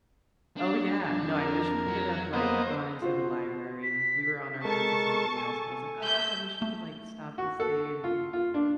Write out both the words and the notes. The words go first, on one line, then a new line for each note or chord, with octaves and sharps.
Oh, yeah no, I wish we could have, like, gone into the library, we were on our way to something else, but I was like, "Ah! I wish we could," like, "stop, and stay, and
D4
F2 G#6
A#4
F#3
A#3 B3 C5 D#5
F4 F#4 C5
B6
G#3 A4 A#4 A5 C#6
A4 G#5
E5 G6
A3
F#4
A4
F4
F4
D4